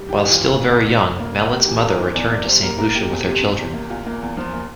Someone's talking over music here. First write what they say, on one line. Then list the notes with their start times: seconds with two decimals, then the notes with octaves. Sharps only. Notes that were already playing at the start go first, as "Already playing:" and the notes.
While still very young Mallet's mother returned to Saint Lucia with her children.
Already playing: G3
0.09 E3 G4
0.24 E3
0.31 F4
0.40 A1
0.55 F1
0.71 E2
0.88 F1
1.03 F1
1.19 A#3
1.36 A#3
1.51 A#3 G4
1.63 E3 G4
1.76 A4
1.83 E2 A#4
1.99 E3 C5
2.14 E2 D5
2.30 A#3 D5
2.47 G3 C5
2.62 A#3 A#4
2.78 A#3 A#4
2.94 A#3 G4
3.10 E2
3.27 C3
3.42 C3
3.59 E2
3.74 A#3
3.89 E2 F4
4.06 A#3
4.22 E2
4.37 F3
4.53 A#3